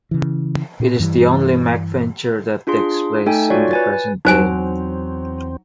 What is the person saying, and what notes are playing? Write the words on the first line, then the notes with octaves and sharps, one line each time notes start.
It is the only MacVenture that takes place in the present day.
C#3 E3
A#2
G2 E3 G3
D4 F4 G#4 C6
A3 D#4 A4 G5 G#5
F4 F#4 C#5 D5
B4 G#5 A6
E2 F#3 C4 D#4 C5 G#5